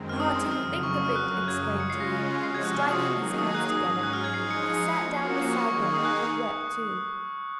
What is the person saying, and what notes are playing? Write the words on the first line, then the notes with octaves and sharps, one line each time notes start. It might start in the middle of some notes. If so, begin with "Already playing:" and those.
'Ah, to think of it!' exclaimed he, striking his hands together, and he sat down beside them and wept too.
Already playing: F#2 D#3 G#3 C4
F6
D#6
F2 C#3 F#3 F6
C#6
D#6
F6
F#2 C#3 F#3 F#6
F#6
F#6
G#6
F#6
C#3 G#3 C#4 F4 C#7
C7
A#6
C3 F3 G#3 C#4 F#4 C7
G#6
F#6
F6
D#6
D#3 F#3 A#3 D#4 G#4
D#6
F#6
G#2 F#3 C#4 G#4 D#6
D#6
F#6
F6
G#6
F3 G#3 D#4 G#4 C7
C#7
C#7
C#7
C7
F3 A#3 C#4 F#4 C#7
C7
C#7
C7
C#6
D#3 A#3 D#4 G#4 C#6
C#6
D#6
F#6